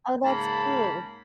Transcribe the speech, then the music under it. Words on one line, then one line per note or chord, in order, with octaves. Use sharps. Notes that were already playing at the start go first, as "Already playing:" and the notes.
Oh, that's cool.
G#2 C#3 A#3 A5 B5